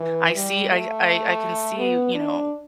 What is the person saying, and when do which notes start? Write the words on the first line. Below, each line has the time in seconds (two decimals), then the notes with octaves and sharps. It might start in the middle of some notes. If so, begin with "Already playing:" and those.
I see I I I can see, you know,
Already playing: E3
0.35 G3
0.71 A3
1.78 B3
2.14 D4